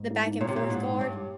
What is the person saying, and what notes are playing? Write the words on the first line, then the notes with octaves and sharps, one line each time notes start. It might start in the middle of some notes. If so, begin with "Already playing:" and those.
The back-and-forth guard.
Already playing: G#2
A#3
D#4
A#2 C#5
C3
A#2 G4
G#2 A#3
D#4
G2 C#5
G4